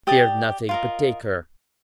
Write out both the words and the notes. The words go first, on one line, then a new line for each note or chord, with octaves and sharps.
'Fear nothing, but take her.'
G4 D5 D#6
F4 A#4 D#5